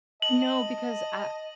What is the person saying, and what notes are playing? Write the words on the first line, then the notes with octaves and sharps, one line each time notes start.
No, because I
D#5 A5 F#7